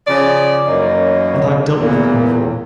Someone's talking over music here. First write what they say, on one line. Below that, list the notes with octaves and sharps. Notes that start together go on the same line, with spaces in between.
And I have dealt with him before.
C#3 F3 D5
F#2 E3 A#3 C#4 D#4
E2 A#2